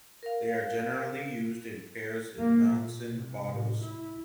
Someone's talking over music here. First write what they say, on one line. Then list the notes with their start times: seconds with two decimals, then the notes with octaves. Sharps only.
They are generally used in pairs in Nansen bottles.
0.23 A#4 F5
2.38 A#3
2.72 A#2
3.13 C3
3.48 A2
3.82 E4